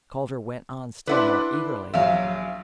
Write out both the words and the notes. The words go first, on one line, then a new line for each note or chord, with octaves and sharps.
Calder went on still more eagerly.
D4 E4 B4 D5 F#5 C6
A#1 F#3 E5 F5